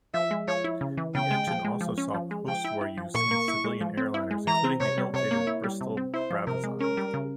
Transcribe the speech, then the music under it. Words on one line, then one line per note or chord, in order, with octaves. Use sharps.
The engine also saw post-war use in civilian airliners, including the ill-fated Bristol Brabazon.
F3 E5
G#3
F3 C#5
E4
C#3
E3
C#3 G5
G#3
F3
G#3
F3
C#4
F3
G#3
F3 G5
E4
E4
F3
A#2 C#6
A#3
E4
G#3
F3
C4
E4
G#3
E3 A#5
C4
C3 C#5
G3
C3 C#5
A#3
E4
G3
C3
C4
E4 C5
F3
C3 A#4
G#3
C#4 A#4
G3
C#3